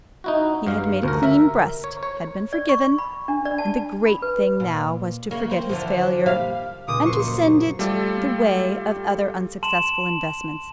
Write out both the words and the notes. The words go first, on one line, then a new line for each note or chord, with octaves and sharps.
He had made a clean breast, had been forgiven, and the great thing now was to forget his failure, and to send it the way of other unsuccessful investments.
D#4 E4 F#4
G2 F5
D2 A#4
A#4 E5
C#5
C#5
D5
C#6
B5
D4
D5
A5
B5
B4
A#2
C#3 A#3
C4
D3 E3 F3
A#2 G3 F5
C#2 A#2 D6 D#6
F#2 F3 A#3 C5 C#6
F#3
G3 A3 F4 A4 D5
A5 C6 E7 F#7